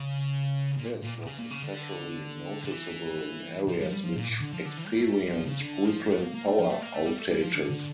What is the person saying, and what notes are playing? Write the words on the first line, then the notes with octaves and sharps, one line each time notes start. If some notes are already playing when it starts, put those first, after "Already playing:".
This was especially noticeable in areas which experienced frequent power outages.
Already playing: C#3
A#2
A#2
C#3
A#2
C#3
D3
D3
E3
F3
G3
F3
G3
F3
A#2
D3
F3
D3
E3
A#3
G3
A3
G3
F3
C#3
D3
F3
A3
A#3
A#3
A3
F3
A3
A#3
A3
G3
A3
G3
F3
D3
D3